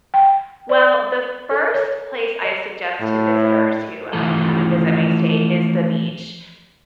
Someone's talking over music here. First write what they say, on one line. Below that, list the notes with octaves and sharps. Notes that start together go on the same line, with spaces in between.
Well, the first place I suggest to visitors who, um, come and visit my state is the beach.
G5
D5
A4
C#5
D#5
A2
E3 F3 A3 A4